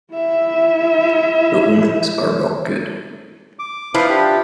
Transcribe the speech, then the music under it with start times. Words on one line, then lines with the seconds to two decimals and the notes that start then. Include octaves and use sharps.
The omens are not good.
0.12 E4 E5
3.59 D6
3.95 F3 E4 B4 F5
4.09 D4 G4